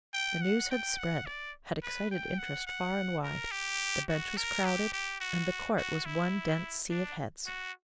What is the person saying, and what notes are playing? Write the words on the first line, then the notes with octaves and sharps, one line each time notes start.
The news had spread--had excited interest far and wide; the bench was crowded, and the court was one dense sea of heads.
G5
F#5
G5
F#5
D5
B4
G5
F#5
F#5
A#4
G4
F#4
A#4
G4
G4
F#4
F#4
E4
D4
F#4